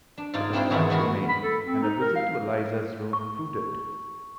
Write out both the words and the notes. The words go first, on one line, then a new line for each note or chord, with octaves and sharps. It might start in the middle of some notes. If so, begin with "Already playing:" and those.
But the fact remained, and a visit to Eliza's room proved it.
D4
G#2 D#4 F4 D5
C4 D4 E4 F4 G#4 C5
G#2 D#3 E3 B3 F#4 G#4
B2 E3 G#3 E4 F#4 A#4
B5
A4
C4
D#4
A#4
F5
C#6